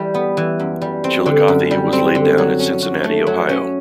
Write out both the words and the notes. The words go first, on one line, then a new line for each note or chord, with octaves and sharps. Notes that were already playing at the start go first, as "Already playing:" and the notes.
"Chillicothe" was laid down at Cincinnati, Ohio.
Already playing: E3 G3
B3
E3
F#2
G3
C4
D3
F#2
G3
C4
D3
F#3
C#4
F#4
A3
F#3
C#4